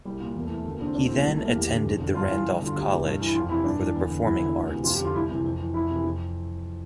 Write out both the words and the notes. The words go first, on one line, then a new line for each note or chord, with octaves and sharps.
He then attended the Randolph College for the Performing Arts.
C2 G3
A#2
E2 A#3
A3
E3
A3
D2 A3
A#3
D3 D4
C4
D2 D4
C4
C3 E3 A#3
C2 G3
A3
A#2 A#3
E2 G4
D3
F2
D3
G2 F4
E3
G2
D3
F4
D2 G4
C3 E3
G2
E3
E4
F2 F4
C3 E3 E4
G2 D4
E3
E2
D3
E2 E4
D3
D2
C3 E3
F2 F4
G4
D3
F4
C2 E4
C3 E3
F2
E3
F2 E4
C3 E3
F2